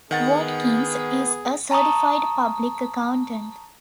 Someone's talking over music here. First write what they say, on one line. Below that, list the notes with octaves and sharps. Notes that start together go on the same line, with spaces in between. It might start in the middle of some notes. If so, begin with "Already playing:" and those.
Watkins is a Certified Public Accountant.
D#3 B3 G#4 F#5 A6
A5 A#5 C#6 D#6